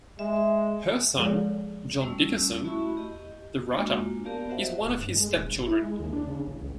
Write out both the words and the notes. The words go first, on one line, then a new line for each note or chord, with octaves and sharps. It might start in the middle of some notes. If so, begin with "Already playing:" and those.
Her son, John Dickerson, the writer, is one of his stepchildren.
G#3 E5
F3 G#3 G#4 A4 C#5
G3 A3 C#4 E6
A3 E4 F#4 E5 B5 C#6
G4 D#5
G#3 A#3 D4 F4 F#4
B3 G4 A#4 D5 F5 A5
F#4 C5 D#5 E5 F#5
D1
G2
G#3
D#1
G1
E4
G#3
D#2
D4
C#3
A1
C#2